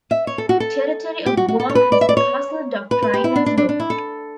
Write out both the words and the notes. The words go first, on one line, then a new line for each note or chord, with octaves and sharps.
Territory of Guam has the Castle doctrine as law.
E5
C#5
A4
F#4
A4
G4
F#4
F#4
A4
C#5
B4
D5
E5
D5
C#5
B4
B4
G4
E4
D4
D4
D4
D4
E4
A4